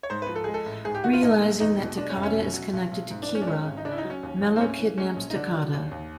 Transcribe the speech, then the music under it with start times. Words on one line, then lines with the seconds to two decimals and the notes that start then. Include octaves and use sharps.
Realizing that Takada is connected to Kira, Mello kidnaps Takada.
0.03 C#5
0.10 G#2 C5
0.22 B4
0.29 F3
0.35 A4
0.44 G#3 G#4
0.54 A4
0.66 A1
0.85 G#2 G#4
0.95 G4
1.04 D#3 F#4
1.13 F4
1.23 A#1 D#4
1.42 A#1
1.60 E2 D#4
1.78 B2
1.97 G#3 D4
2.10 C#4
2.16 F1
2.23 C#4
2.35 B2
2.53 F#3
2.73 B1
2.91 B1
3.11 G#2
3.22 D4
3.29 E3
3.35 C#4
3.42 D4
3.47 G#3 C#4
3.66 G#1
3.77 D#4
3.85 C#3 D4
3.92 E4
3.98 D#4
4.04 F#3
4.10 C#4
4.23 D#2
4.41 D#2
4.56 C4
4.60 A2 C#4
4.79 E3
4.98 G#3 C#4
5.16 A#1
5.30 D#4
5.35 D3 D4
5.54 F#3
5.73 D#2
5.91 D#2